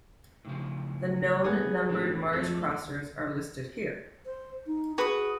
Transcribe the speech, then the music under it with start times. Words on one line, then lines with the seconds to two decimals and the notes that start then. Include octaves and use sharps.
The known numbered Mars-crossers are listed here.
0.45 A2 C#3 F3
1.44 B3 G#4
1.89 A1 D3 A#3
2.33 F2 A3 A4
4.26 C5
4.66 D#4
4.98 F#4 G#4 B4